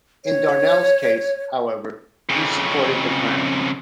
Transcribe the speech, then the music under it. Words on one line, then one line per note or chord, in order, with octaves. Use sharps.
In Darnell's Case, however, he supported the Crown.
C#5
F2 C#3